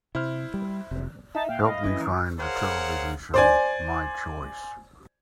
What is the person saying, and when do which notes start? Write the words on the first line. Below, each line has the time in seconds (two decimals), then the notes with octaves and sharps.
Help me find the television show, My Choice.
0.15 C3 E4 C5 F6
0.54 G3
0.91 F1 C3
1.35 D#4 E5 A5
1.49 A#2 F5 G5
1.65 G2 D#5
1.84 E3 A3 C#4 D#4 E4
2.00 D#3 A#3
2.39 G#4 A#4 C5 C#5 F5 F#5
3.34 C5 D5 G#5